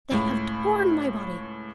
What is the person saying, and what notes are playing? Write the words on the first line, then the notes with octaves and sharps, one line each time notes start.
They have torn my body.
C#2 A2